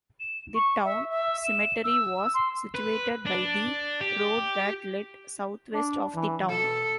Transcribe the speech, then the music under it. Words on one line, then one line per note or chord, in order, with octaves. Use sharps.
The town cemetery was situated by the road that led southwest of the town.
E7
C#6
E5
E5
E7
E6
C6
B4
D4
G4
D4
E3
B2 A4